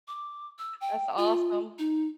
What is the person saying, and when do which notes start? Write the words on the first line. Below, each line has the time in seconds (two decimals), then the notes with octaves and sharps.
That's awesome.
0.08 D6
0.58 E6
0.81 G5
1.18 F4
1.79 D#4